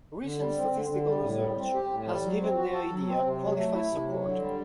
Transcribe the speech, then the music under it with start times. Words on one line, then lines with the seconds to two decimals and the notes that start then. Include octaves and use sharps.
Recent statistical research has given the idea qualified support.
0.23 D3
0.39 G3
0.57 C4
0.73 D3
0.90 D3
1.07 G3
1.23 A2
1.40 G3
1.57 C4
1.74 G4
1.90 A2
2.07 G3
2.24 F#3
2.40 C4
2.57 F#4
2.73 A4
2.90 F#3
3.08 C4
3.24 C3
3.40 F#3
3.57 A3
3.74 E4
3.91 C3
4.07 F#3
4.24 D3
4.41 G3